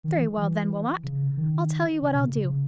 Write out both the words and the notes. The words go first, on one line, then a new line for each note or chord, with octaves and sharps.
Very well, then, Wilmot, I'll tell you what I'll do.
D#3
E3
E3
C#3
D#3
C#3
B2
C#3
C#3